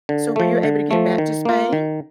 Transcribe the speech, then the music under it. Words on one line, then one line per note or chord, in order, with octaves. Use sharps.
So were you able to get back to Spain?
D3
F3 A3
D3
F3 A3
D#3
A#3 F4
D#3